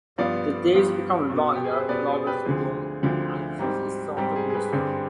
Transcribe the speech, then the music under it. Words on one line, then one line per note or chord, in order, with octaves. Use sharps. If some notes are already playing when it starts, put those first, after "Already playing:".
The days become longer, flowers bloom, and trees start to blossom.
G2 F3 B3 D5 F5
G2 F3 B3
B2
B3
G4
G#4
B4
C5
B2 B3 B4 D5
G#4 C5
G4 B4
D2 D3 F3 C4 G#4
D2 D3 F3 C4
G#2 G3 C4
G#2 G3 C4 G4
G#4
G#4
G4 B4
G2 D3 G3 C4 G#4